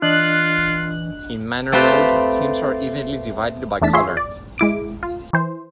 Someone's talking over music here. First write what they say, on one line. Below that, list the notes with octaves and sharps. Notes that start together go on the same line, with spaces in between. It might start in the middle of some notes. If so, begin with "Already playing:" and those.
In Manner mode, teams are evenly divided by color.
E3 D4 F4 D#5 F#6
A3 C4 F4 G4 B4 E5
E2 A3 D4 A5 B6
F4 G#4 C#5 E5 C6
D5
G#3 E4 D6 D7
F4
E3 C5